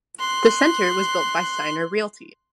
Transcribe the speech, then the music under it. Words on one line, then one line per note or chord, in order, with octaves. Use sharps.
The center was built by Steiner Realty.
C6 F#6